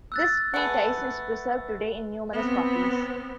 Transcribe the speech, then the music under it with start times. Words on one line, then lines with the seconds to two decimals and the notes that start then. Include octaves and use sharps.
This treatise is preserved today in numerous copies.
0.12 E6 F#6 A6
0.54 A3 G#4 A4 B4 F#5
2.33 B3 C4